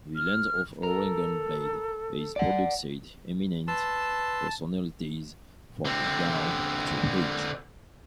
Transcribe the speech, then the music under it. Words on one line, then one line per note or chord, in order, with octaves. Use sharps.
The land of Aurangabad has produced eminent personalities from down to ages.
F6
A4 A#4
D5 F#5
B4 A5 C6 E6
D3 C4